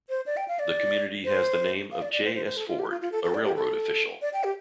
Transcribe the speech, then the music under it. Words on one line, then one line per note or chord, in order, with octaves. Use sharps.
The community has the name of J. S. Ford, a railroad official.
C5
D5
G5
F5
D5
C5
F5
D5
D5
C5
C5
C5
A4
F4
G4
F4
F4
A4
A4
D5
G4
A4
D5
G5
G4